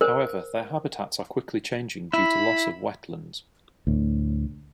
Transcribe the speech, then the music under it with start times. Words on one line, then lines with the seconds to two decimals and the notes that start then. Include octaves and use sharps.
However, their habitats are quickly changing due to loss of wetlands.
0.01 A#4 C5
2.14 E4 B5
3.87 D2 A2